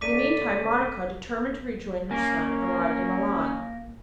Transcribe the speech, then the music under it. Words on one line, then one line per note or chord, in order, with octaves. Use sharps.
In the meantime Monica, determined to rejoin her son, arrived in Milan.
C#2 A3 A#3 C#4 D5 D6 B6 D#7
A#3 C#4